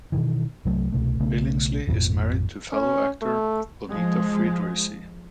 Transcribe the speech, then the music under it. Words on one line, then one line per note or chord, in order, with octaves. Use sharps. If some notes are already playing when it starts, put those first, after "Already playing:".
Billingsley is married to fellow actor Bonita Friedericy.
B2 D#3 E3
C2 F#3 A3
C2 B2 A3
B1 C#3 A3 B3
G#1 F2 A#2 F3
C#4
A3
F3 G#3